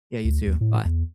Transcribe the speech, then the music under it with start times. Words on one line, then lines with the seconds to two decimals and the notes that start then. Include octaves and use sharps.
Yeah, you too, bye.
0.25 D2
0.47 D#2
0.61 A2
0.85 E2